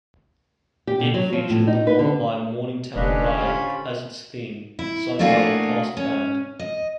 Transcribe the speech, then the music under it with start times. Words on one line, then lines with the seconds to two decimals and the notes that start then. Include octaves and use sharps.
It featured the lullaby "Morningtown Ride" as its theme, sung by the cast band.
0.87 G4
1.00 B2
1.14 F#3
1.32 F3
1.50 A2
1.67 D#4
1.87 B4
1.99 D3
2.96 F1 D3 C#4 D4 G4 B4 C5 D#5
3.38 F4 B5
4.79 E4
5.19 A3 A#3 D4 F4 F#4 G#4
5.97 C#4
6.59 D#5